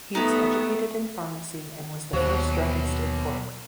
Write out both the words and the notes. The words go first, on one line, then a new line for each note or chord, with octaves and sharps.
He was educated in pharmacy and was the first druggist in Fort Wayne.
A3 B3 D#4 G4
D#2 B2 F#3 G4 C5